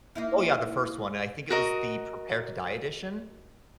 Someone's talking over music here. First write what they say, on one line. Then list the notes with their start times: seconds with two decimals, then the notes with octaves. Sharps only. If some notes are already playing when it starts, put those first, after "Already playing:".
oh, yeah the first one, and I think it was the Prepared to Die edition.
0.15 A#3 D#4 E4
1.50 F#4 A#4 D#5